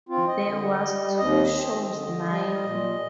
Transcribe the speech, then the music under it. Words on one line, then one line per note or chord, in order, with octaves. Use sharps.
There was two shows nightly.
C4 F4
D#5
D3
G3
D#2 D#5
C4
D3
G3
A#2